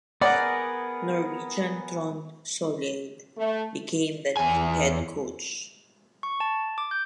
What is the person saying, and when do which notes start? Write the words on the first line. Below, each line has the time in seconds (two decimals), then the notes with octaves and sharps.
Norwegian Trond Sollied became the new head coach.
0.21 B3 G#4 A#4 D5 F#5
3.38 A3
4.37 E2 G#5
6.23 C#6
6.40 A5
6.78 D6
6.91 G6